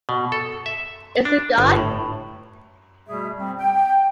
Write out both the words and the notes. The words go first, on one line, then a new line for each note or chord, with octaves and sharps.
Is it God?
B2
A4
E5
D4
G1
A2
B2 G3 A3 G#4 E5
G3 C4
G5